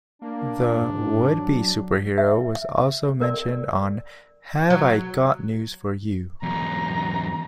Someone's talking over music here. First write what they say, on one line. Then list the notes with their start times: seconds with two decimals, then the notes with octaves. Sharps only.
The would-be-superhero was also mentioned on "Have I Got News For You".
0.22 A#3 D4
0.81 G#2
1.39 F#3
2.18 E5
3.21 A#4 D5
4.70 F#3
6.43 E2 F#3 A#5